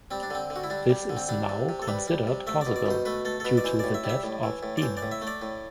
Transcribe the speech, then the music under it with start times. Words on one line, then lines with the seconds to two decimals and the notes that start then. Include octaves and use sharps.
This is now considered possible due to the death of Demon.
0.11 G3 C4
0.23 D4
0.30 D3 C4
0.50 D3
0.56 F#4
0.64 E4
0.70 G3 D4
0.89 G3
1.09 D3
1.17 C4
1.29 G3 D4
1.49 C3
1.69 C3
1.82 A4
1.87 G3 B4
2.08 G3
2.27 C3
2.47 A3 E5
2.61 D5
2.66 B2
2.76 D5
2.86 B2 C5
3.05 A3 B4
3.25 A3 A4
3.40 A4
3.45 B2 B4
3.57 D5
3.64 E3 C5
3.79 A2 D5
3.94 E5
4.04 G3
4.09 E5
4.24 A2
4.43 E3
4.63 A2
4.77 D5
4.82 E3 C5
4.97 D5
5.02 A2
5.12 E5
5.22 A3
5.27 D5
5.42 A2